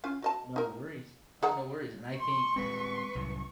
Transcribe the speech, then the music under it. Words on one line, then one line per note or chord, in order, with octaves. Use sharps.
no worries. Oh, no worries. And I think
C#4 F4
F#4 D#5 A5
D#4 A#4
G#4 F#5 A#5
C6 C#6
D#1 G#3 C4 B4
C2 F#2 A2